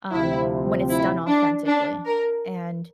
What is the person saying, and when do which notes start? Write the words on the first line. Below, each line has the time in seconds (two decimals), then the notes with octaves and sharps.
um, when it's done authentically, and
0.12 D2 C3 F3 C4 E4
0.90 E4
1.28 D4
1.67 D4
2.06 A#4